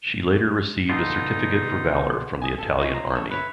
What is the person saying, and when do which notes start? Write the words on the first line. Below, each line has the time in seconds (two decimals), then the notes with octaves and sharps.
She later received a certificate for valour from the Italian army.
0.89 B2 D3 D#4 F4
2.41 G#5 D#6
2.58 A4 F5
2.79 D#4 F4 G#4 C#5
2.92 F4 A#5
3.15 A4 C#5
3.31 B4 C#5 E5